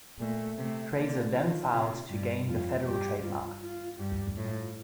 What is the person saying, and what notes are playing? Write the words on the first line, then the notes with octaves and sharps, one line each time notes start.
Fraser then filed to gain the federal trademark.
A#2 A3
C3 A3
D3 A#3
D#3 F4
C3
G2
F2 F4
G2 G4
F4
F4
G2 G4
A2 F4